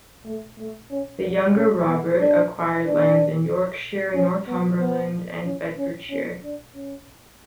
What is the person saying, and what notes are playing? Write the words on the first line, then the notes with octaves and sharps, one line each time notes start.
The younger Robert acquired lands in Yorkshire, Northumberland, and Bedfordshire.
A3
A3
C#4
C#4
B3
D4
D4
C#4
B3
B3
C#4
C#4
C#4
D4
C#4